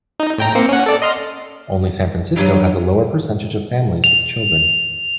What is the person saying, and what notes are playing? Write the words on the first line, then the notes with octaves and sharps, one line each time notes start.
Only San Francisco has a lower percentage of families with children.
D#4
A2 G5 A#5
A#3 C4 C#7
C#4 F#5
A4 D5
D#5 C6 F6
G2 F#3 G4 D#7
F7